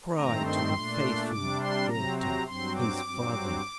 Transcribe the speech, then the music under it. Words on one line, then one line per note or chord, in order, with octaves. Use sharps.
Cry to the faithful creator, his Father.
G2 D#3 A3 C4 A#5
C6
A#2 A3 D4
C3 G3 D4 D6
C6
C3 F#3 C4 A#5
A#5
G2 F#3 C4 C6
D6
G2 F#3 C4